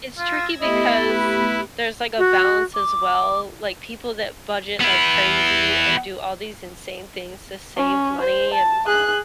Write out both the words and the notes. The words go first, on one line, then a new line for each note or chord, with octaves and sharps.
it's tricky because there's, like, a balance as well, like people that budget like crazy and do all these insane things to save money and,
F4 E6 G#6 A#6
A3 B3 E4 G4 D#5
B4
F#4
D6
B3 E4
C#4
C5
A5
G#4 F#6